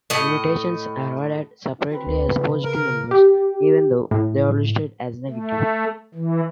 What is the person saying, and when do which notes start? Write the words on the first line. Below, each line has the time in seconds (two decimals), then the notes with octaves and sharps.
Limitations are added separately as positive numbers, even though they are listed as negative.
0.10 A2 D#5
1.90 F#3 C4 B4
2.07 D2
2.31 C#3
2.64 A#4
3.11 G4
4.11 A2
5.30 A3
6.15 E3